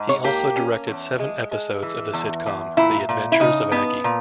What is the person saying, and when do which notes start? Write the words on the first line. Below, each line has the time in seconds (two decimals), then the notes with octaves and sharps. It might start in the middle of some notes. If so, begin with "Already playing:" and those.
He also directed seven episodes of the sitcom "The Adventures of Aggie".
Already playing: G#2
0.09 C#5
0.24 A#3 G4
0.56 C#4
0.87 E2
1.19 G#3
1.51 G#3
1.83 E3
2.13 E2
2.46 E2
2.77 A#2 E4
3.09 A#2
3.32 E4
3.40 C#3 D#4
3.72 B3
4.04 A#2